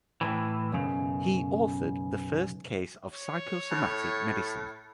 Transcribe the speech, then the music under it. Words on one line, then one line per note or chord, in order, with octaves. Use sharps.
He authored the first casebook of psychosomatic medicine.
A2 C3 E3
B1 F#2 C#3
C#5
A2